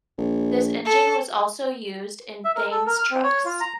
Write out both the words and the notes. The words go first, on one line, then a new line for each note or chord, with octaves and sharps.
This engine was also used in Thames trucks.
A#1
A4
E5
A#4
A4
A#4
F6
C4
C#5
F4
A#5